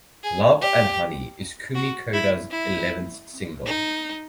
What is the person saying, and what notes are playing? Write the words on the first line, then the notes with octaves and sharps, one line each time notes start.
"Love and Honey" is Kumi Koda's eleventh single.
G#4
G4
F#4
E4
E4
D#4